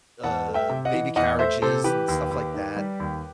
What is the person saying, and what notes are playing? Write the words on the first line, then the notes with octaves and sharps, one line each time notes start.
uh, baby carriages and stuff like that
E2 F#5 A5
A3
E5 G5
C3
D#5 F#5
E3
E2 D#5 F#5
A3 C5 E5
C3 A4 C5
E3 G4 B4
D#2
D#2
D#3
G3
D#2